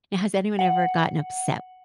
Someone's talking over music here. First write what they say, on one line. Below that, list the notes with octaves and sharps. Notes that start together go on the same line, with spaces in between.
Now, has anyone ever gotten upset
F#5